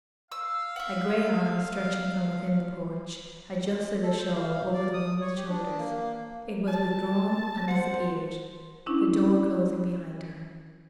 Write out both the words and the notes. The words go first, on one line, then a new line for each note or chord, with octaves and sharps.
A gray arm, stretching from within the porch, adjusted the shawl over the woman's shoulders; it was withdrawn and disappeared, the door closing behind her.
F5 E6
E5 F#5
A4
C5
F5
D5
D#6
C#5
G4
D4
A#3
A5
C5 F#5
C#4 D4 E4